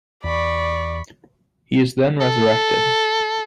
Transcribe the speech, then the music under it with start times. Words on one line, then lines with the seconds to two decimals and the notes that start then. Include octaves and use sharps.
He is then resurrected.
0.24 E2 D5 B5 C#6
2.20 A4